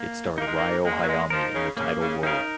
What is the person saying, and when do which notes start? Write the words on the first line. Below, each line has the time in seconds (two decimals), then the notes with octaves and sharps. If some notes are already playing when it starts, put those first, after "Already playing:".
It starred Ryo Hayami in the title role.
Already playing: A#3
0.38 A#3 D#4
0.42 G#3 A#4
0.55 A#3
0.85 G#3 A#3
1.02 F#3
1.08 G#3
1.30 F3 D#4 A#4
1.54 C#3
1.76 C#3 A#3
1.99 C#3
2.23 C#3 D#4 A#4